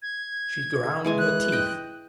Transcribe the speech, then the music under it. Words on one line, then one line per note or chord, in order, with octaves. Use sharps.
She ground her teeth.
G#6
E3 G#3 G#5
F#6
D#5 G5